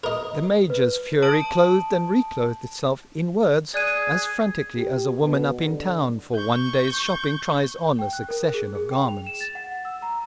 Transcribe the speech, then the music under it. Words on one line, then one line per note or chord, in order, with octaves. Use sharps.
The Major's fury clothed and reclothed itself in words as frantically as a woman up in town for one day's shopping tries on a succession of garments.
A#4 D#5
B4
A5 D#6 G6 D7 F#7
G#4 D5 F#6 D#7
G4
B2
D3
C#6 G6
G5
F#6
A#4
G#4
G#4
G5
F7
E7
A6
F#5
E6
A#5